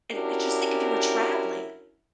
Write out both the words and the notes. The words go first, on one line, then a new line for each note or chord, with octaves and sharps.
and, uh, just think if you were traveling.
C#4 D4 E4 F#4 G4 A#4